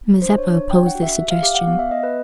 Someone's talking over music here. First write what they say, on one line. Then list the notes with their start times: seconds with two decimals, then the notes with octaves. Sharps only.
Mazeppa opposed this suggestion.
0.22 D4 C5
0.38 C#5
0.47 D4
0.54 C#5
0.71 D4 G5
0.87 F#5
0.95 F#4
1.03 E5
1.19 G4 E5
1.31 F5
1.43 G4 F5
1.55 F#5
1.67 B3 F5
1.79 E5
1.91 B3 D#5
2.03 B4